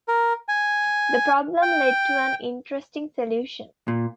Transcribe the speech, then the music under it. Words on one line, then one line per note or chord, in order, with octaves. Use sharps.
The problem led to an interesting solution.
A#4
G#5
G5
A#2